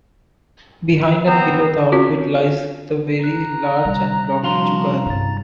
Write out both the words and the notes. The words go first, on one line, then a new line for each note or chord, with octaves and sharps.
Behind and below the orbit lies the very large and blocky jugal.
B3 C4 C5 A#5
C4 C#4 F4 F#4 A#4 C#5
A#5 F#6
C3 G3
C2 F3 D4 F#4 F5 C6
G2 C#3 A#5 A6